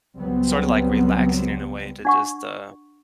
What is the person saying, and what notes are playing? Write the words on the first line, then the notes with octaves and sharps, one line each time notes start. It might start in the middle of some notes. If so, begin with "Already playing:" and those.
sorta, like relaxing in a way to just, uh
C#2 F#3 G3 B3 C4
D4 F#5 C#6